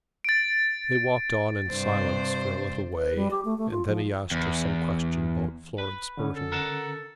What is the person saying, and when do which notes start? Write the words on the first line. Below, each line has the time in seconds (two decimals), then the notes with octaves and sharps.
They walked on in silence for a little way, and then he asked her some question about Florence Burton.
0.24 A6 D7
1.71 G2 C3 C5
2.94 B4
3.16 G3
3.31 G4
3.45 A3
3.58 A3
3.71 F4
3.88 F3
4.31 E2
5.78 B4
6.17 D3 C#4
6.36 A4
6.52 A#4 F#5 A5